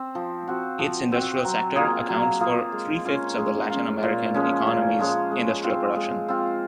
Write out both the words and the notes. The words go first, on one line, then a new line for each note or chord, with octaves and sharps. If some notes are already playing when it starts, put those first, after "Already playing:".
Its industrial sector accounts for three-fifths of the Latin American economy's industrial production.
Already playing: C4
F3
C4 F#4
F3
C4 F#4
F#3
A#3 F4 G#4
F#3
A#3 F4 G#4
G#3
C#4 F4
G#3
C#4 F4
A#2
F3 G#3 C#4
A#2
F3 G#3 C#4
G#3
C4 F4
G#3
C4 F4